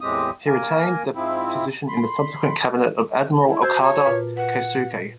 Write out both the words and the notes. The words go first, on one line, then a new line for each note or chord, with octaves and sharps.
He retained the position in the subsequent cabinet of Admiral Okada Keisuke.
E2 A2 G#3 C4 G4 D#6
A#3 A#4 G#5
G#2 F3 C4 E4
B5 C6
E4
F#4 C5 E6 G#6
C#5 A5 A#5
A#2 F4 B4
B4 F#5